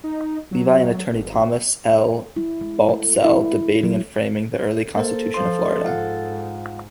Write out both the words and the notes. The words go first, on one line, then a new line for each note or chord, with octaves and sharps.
Levy and Attorney Thomas L. Baltzell debating and framing the early constitution of Florida.
D#4
F#3
G#1
E4
G#3
A3
E4
F#3
A#3 A4 A#4 C5
F3 C6
G#2 F4 F5 F#5